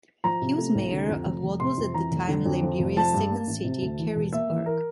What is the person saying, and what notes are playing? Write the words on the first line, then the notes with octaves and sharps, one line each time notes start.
He was mayor of what was at the time Liberia's second city, Careysburg.
F3 A#5
C3
A3
C2
D3
F2
F1
F1
C3 C6
F2
E3 A#5
F1
D3
F2
F3
F1
F3 A5
G2
A#3
A1
C3
D2
E3
E1
A#3 E5
E3
A#4